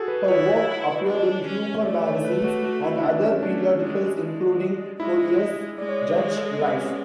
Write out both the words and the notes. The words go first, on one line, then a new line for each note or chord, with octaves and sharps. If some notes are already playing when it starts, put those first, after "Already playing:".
Her work appeared in humor magazines and other periodicals, including "Collier's", "Judge", "Life".
Already playing: F#4 G#4 A4
B4
E4 C#5
D4
C#4
A3 D5
C#5
B4
F#4
F#4
E4
E4
D4
C#4
A3 D4
G#3
G#3
G#3 E4
G#3 D5
C#5
D5
C#5
A4
B3
C#4